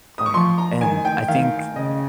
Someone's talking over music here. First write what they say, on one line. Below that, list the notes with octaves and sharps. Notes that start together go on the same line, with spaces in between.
Oh, yeah, and I think,
D#6
C#6
F3 C6
A#5
D#3 G#5
G5
D#3 F5
C#3 D#5